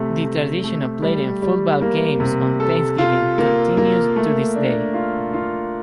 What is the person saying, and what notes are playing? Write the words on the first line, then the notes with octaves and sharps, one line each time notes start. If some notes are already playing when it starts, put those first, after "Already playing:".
The tradition of playing football games on Thanksgiving continues to this day.
Already playing: C3 A3
A3
A3
G3
G3
A#3
C3
A4
F4
A#3
A#3
A3
D4
F4
F4